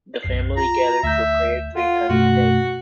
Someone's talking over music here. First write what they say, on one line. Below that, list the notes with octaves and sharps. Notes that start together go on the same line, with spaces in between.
The family gathered for prayer three times a day.
B1 F#2 C7
F4 A#5
D2 E5 G6
F4 A4 F#5
F#2 B2 A3 F#4